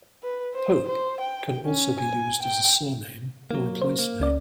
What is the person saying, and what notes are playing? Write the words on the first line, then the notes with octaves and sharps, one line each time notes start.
"Pope" can also be used as a surname or a place name.
B4
C5
C5
G5
C#4
G#5
G5
F#3 A#3
C5
A#3
C#2 C#4 D5